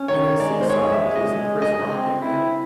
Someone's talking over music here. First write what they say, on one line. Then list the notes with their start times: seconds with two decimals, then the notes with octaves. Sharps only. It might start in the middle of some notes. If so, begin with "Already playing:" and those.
I didn't see signs, isn't Chris Rock in that?
Already playing: C#4
0.08 D#3 C#5
0.40 G#3 D5
0.61 C5
0.70 G#3 C#5
0.92 E5
1.01 G#3
1.16 D#5
1.31 G#3
1.62 G#3 D#5
1.92 C4
2.22 E4